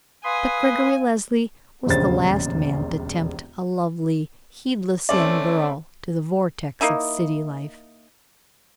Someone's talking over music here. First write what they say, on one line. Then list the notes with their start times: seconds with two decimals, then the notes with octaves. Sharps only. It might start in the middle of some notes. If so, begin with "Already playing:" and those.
But Gregory Leslie was the last man to tempt a lovely, heedless young girl to the vortex of city life.
0.24 B4 F5 G#5 C6 D#6
1.86 E1 A#1 D#2 C#3 C5 A6
5.09 A3 C4 C#4 D5
6.81 A#3 D#4 E4